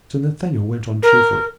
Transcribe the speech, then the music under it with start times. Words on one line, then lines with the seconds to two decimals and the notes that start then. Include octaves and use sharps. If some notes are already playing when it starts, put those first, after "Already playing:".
Sir Nathaniel went on cheerfully.
1.02 A#4